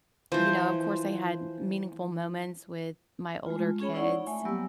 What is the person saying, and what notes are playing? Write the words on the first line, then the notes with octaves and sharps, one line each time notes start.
You know, of course, I had meaningful moments with my older kids,
E3 F3 C5
G#3 A3 F4
C#4 G#4 C#5 B5
D#4 E4 D5 F#5 C#6
A3 E5 G#5
F#3 G3 A#3 B3 G4 E6